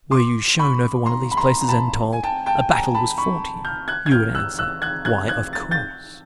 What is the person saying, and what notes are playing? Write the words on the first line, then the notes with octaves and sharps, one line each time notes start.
Were you shown over one of these places, and told, "A battle was fought here," you would answer, "Why, of course!"
C6 D6
B5 C#6
A#5 C6
B5
A#5 C6
A#5
A5 B5
G#5
G5 A5
G5 A5
G#5 A#5
A5 B5
B5 C#6
F6 G6
F#6 G#6
G#6
F6 G6
E6 F#6
E6 F#6
F#6 G#6
F#6 G#6
F#6 G#6
A6
G6 A6